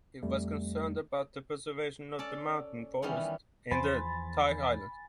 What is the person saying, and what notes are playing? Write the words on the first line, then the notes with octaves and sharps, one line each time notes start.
He was concerned about the preservation of the mountain forests in the Thai highlands.
F2 G3 A3
C#4 A4 D5 A5
D#3 E3 G3 B3 C#4
E2 F3 C5 G#5 B5 A6